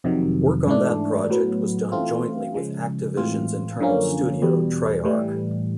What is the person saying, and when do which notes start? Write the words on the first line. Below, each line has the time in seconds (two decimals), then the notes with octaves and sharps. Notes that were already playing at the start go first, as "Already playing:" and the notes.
Work on that project was done jointly with Activision's internal studio, Treyarch.
0.04 F2 C3 D#3 F#3
0.67 G#2 E3 A3 D4
1.30 A2 F#3 B3
1.92 E3 A3 C4 F4
2.54 C#3 F3 G#3
3.17 A2 E3 G#3 C4 F4
3.80 F#2 D3 F3 A#3 C#4
4.42 E2 B2 G3
5.05 A2 E3 G3